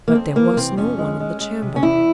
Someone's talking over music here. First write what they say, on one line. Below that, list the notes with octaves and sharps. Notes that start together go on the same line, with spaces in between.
But there was no one in the chamber.
A#3
F2 C4
E3 A#3
C3 C4
F2 C#4
G#3
G#3
G#3
C3
C#4
E2 E4